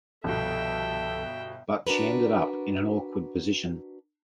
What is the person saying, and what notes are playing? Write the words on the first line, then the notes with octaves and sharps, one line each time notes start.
But she ended up in an awkward position.
G1 C2 B2 F3 A4 E5 G5
D4 F#4 A#4 B4